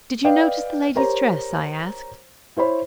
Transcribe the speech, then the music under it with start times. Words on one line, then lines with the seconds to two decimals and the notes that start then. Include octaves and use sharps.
"Did you notice the lady's dress?" I asked.
0.24 B4 D5 D#5 F5 G5
0.95 G4 A#4 C5 C#5 A#5
2.57 E4 C5 C#5 B5